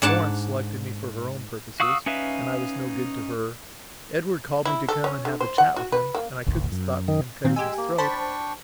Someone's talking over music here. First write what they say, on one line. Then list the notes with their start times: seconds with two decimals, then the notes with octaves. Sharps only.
Florence selected me for her own purposes, and I was no good to her; Edward called me to come and have a chat with him, and I couldn't stop him cutting his throat.
0.02 G#2 D4 F#5 A5
1.80 F#4 F5 C#6 D#6 E6
2.06 C#4 D#4 B4 E5 F5
4.65 E4
4.89 A4
5.04 C#4
5.25 D3
5.40 C5
5.58 F#5
5.76 F#4
5.92 B4
6.15 A#3
6.46 D#1 G#1 D2
6.72 F#2
7.08 D#3
7.44 A#2 D#3 C4
7.56 G#3 G4 G#5 E6
7.78 A#3
7.98 D4 C5 G5 A5 B5 C#6